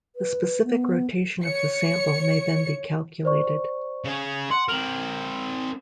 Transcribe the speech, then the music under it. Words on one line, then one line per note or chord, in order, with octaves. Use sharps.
The specific rotation of the sample may then be calculated.
B4
B3
C#5 C#7
C5 D5 C#6
C#3 G#4
F#5 C6
C4 A#4 F6 F#7